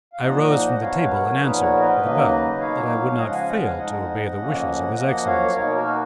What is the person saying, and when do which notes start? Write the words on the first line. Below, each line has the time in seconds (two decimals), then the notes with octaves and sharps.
I rose from the table and answered, with a bow, that I would not fail to obey the wishes of his excellency.
0.13 F5
0.21 A#2 F3 A#3 D#4 D#5 F#5
0.51 D#5 F#5
0.75 F#5
0.81 B2 F#3 B3 C#5 F5
1.02 B4
1.10 A#4 C#5
1.40 A#2 F3 B3 D#4 G#4 B4
1.60 A#4 C#5
1.80 B4 D#5
2.00 D#2 C#3 F#3 A#3 D#4
2.59 B2 F#3 A#3 D#4 C#5 F5
3.18 C#3 F3 G#3 D#5 F#5
3.33 F5 G#5
3.48 D#5 F#5
3.62 F5 G#5
3.78 F2 F3 G#3 D#4 D#5 F#5
4.37 F2 C#3 F3 A#3 C#4
4.96 F#2 F3 A#3 D#5 F#5
5.25 C#5 F5
5.55 B2 A#3 D#4 A#4 C#5
5.76 F#4 A#4
5.86 A#4